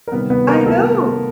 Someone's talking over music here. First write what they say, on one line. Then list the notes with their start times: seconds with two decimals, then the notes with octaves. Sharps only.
I know.
0.07 A#4
0.12 C3 D#3 G3 B3 B4
0.30 B3 B4
0.48 A#3 A#4
0.66 A3 A4